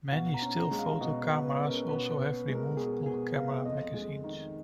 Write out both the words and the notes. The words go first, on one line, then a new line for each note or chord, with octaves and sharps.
Many still photo cameras also have removable camera magazines.
F5
B2 F#5
A#5
C#4
A#5
G#3
F5
B2 D#5
B4
B2
B4
C#4 B4
A#4
B2 B4
B4
B3
G#3
A#4
B2 G#4
B2 G#4
B3 F5
F2 D#5
G#3
D#3